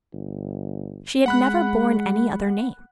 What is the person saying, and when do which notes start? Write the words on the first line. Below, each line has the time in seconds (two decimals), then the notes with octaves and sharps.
She had never borne any other name.
0.13 G1
1.26 G#3 F#5 B5 F#6